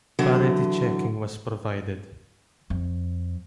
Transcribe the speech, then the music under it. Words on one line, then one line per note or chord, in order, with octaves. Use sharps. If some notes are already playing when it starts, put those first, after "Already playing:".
Parity checking was provided.
D3 E3 F#3
F2